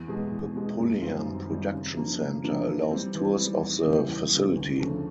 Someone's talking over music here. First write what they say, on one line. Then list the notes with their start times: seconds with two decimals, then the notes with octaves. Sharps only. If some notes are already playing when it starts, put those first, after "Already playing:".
The Pulliam Production Center allows tours of the facility.
Already playing: E2
0.08 B2 G#3
0.31 E2
0.55 B2 G#3
0.78 F#2
1.02 D#3 G3 C4 F4
1.26 F#2
1.49 D#3 G3 C4 F4
1.73 C#3
1.97 F3 A#3 D4
2.20 C#3
2.44 F3 A#3 D4
2.67 E3
2.91 G3 C4
3.15 E3
3.38 G3 C4
3.62 E2
3.85 C#3 E3 G3
4.09 E2
4.32 C#3 E3 G3
4.56 D2
4.80 C#3 F3 A3 D4